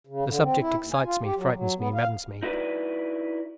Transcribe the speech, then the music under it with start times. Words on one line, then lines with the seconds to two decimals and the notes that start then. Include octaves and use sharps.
The subject excites me, frightens me, maddens me.
0.07 C#3
0.25 D3
0.42 C4
0.59 E4
0.80 D#2
0.92 G#5
1.04 F4
1.23 G4
1.37 F#3
1.54 F#3
1.78 B3
1.94 F5
2.43 D#4 E4 F#4 G4 B4 D5